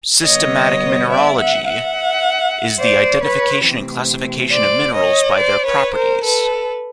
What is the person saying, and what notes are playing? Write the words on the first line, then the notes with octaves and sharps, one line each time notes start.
Systematic mineralogy is the identification and classification of minerals by their properties.
D3 G3 B3 C#5 D#5
D5 E5
E5 F#5
E5 F#5
C5 D5
B4 C#5
C3 E3 A3 C4
C5 D5
C#5 D#5
C5 D5
B4 C#5
A#4 C5
A4 B4